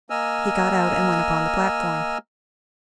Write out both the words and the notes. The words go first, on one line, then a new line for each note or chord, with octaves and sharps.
He got out and went upon the platform.
A#3 D#5 G#5 E6 F6